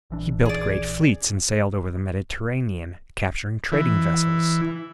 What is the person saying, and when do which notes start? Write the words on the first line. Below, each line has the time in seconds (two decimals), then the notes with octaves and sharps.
He built great fleets and sailed over the Mediterranean, capturing trading vessels.
0.10 A#1 E3 D4
0.45 G#4 D5
3.72 E3